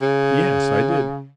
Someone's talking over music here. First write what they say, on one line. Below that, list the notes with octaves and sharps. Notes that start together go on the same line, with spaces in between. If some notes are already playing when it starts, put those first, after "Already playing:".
"Yes, I did."
C#3